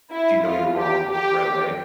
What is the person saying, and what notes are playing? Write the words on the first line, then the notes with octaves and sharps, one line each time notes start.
do you know you're wrong right away?
E4
F4
G4
G4